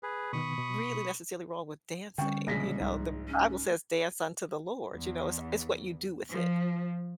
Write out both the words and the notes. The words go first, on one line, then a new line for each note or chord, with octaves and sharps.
really necessarily wrong with dancing, you know? The Bible says dance unto the Lord, you know? It's it's what you do with it,
G#4 B4
B2 D#3 B3 B5 C#6 D#6
B2
D3 G3 C#4 G5 C#6
A#1 A#2 C#3 G#3 A#6 B6
C2 G#2
C#4
E2
F3